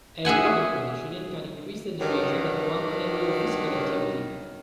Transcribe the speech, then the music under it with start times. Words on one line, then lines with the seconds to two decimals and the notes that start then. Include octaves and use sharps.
Aerobic conditioning can increase the duration that one can endure physical activity.
0.25 G#4 E5 F#5 G#5
2.00 G2 D#3 F#3